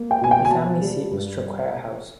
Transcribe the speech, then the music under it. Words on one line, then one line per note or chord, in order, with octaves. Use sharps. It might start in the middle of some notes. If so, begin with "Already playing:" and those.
The family seat was Traquair House.
Already playing: A#3
G5
B2 G#5
G5
G#5
B2 A5
G3
G2